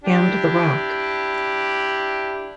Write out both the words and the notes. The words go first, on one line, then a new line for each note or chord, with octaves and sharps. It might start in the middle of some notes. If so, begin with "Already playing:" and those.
And the rock.
D4 E4 G4